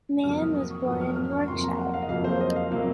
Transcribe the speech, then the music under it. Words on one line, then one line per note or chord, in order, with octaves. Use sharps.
Mann was born in Yorkshire.
F2 C3 F#3 A#3 F6
D#6
D#6
C#6
F2 C3 F#3 A#3 D#6
F6
F6
C#6
F2 C3 F#3 A#3 C6
A#5
F#5
F5
D#5
F2 C3 F#3 A#3 F5
C5
D#5
F5
C3 F#3 A#3